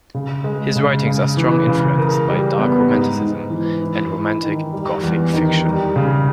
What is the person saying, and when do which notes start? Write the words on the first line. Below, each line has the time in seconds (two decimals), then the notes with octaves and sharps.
His writings are strong influenced by Dark Romanticism and Romantic gothic fiction.
0.15 C#3
0.44 G#3
0.76 C#3
1.06 C#3
1.37 E3
1.67 C#3
1.98 A#4
2.29 G3
2.59 B3
2.89 G#2
3.21 G#2
3.50 E3
3.82 E4
4.12 E4
4.43 D#3
4.73 G3
5.03 E2
5.33 D#3
5.65 G3
5.96 C#3